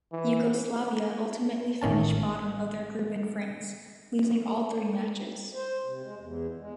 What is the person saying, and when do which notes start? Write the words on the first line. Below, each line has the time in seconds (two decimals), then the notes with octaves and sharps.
Yugoslavia ultimately finished bottom of their group in France, losing all three matches.
0.12 E3
1.82 A1 D#3 C#4 A5
5.54 C5
5.84 C3
6.02 G#3
6.18 E2
6.58 G#3